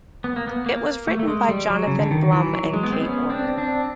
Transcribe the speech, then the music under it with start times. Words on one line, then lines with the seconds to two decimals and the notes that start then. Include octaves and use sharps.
It was written by Jonathan Blum and Kate Orman.
0.24 B3
0.36 A#3
0.47 B3
0.66 A#3
1.08 A3
1.19 A3
1.28 G#3
1.49 G3
1.70 F#3
1.87 C#3
1.99 D3
2.11 D#3
2.33 E3
2.53 F#3
2.73 G#3
2.83 B3
2.93 C4
3.02 B3 C#4
3.30 C4 D4
3.58 C4 D4